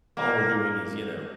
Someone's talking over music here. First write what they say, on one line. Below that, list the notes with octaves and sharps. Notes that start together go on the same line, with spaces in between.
All we're doing is, you know,
A#3